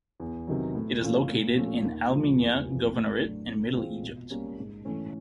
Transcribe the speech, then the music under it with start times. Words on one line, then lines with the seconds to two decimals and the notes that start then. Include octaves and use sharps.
It is located in Al Minya Governorate in Middle Egypt.
0.20 E2
0.47 C3 D#3 F#3
0.75 A2
1.02 E3 A3 C#4 F4
1.29 A#2
1.56 F3 A3 C#4 F4
1.84 D#2
2.11 C#3 F3 G#3
2.39 E2
2.66 C3 F3
2.94 A2
3.21 F#3 A3 D4 F#4
3.48 A2
3.76 E3 G#3 C4 F4
4.03 B2
4.30 G3 A#3 C#4
4.58 G#2
4.85 E3 A3 C#4